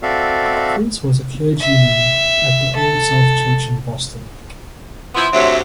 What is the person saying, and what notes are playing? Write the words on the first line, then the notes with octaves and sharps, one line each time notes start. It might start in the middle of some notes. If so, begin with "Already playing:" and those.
Prince was a clergyman at the Old South Church in Boston.
C4 F#4 A4 D5 E5 F5
E5
A4
F3 B3 E4 C6
D2 C3 F#3 E5